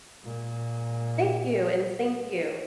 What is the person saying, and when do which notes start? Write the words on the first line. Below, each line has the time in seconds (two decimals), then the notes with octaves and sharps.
Thank you, and same to you.
0.23 A#2 G#3